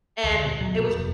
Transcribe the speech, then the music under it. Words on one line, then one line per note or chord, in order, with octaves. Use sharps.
and it was
D2
B2
F#3
B2
F1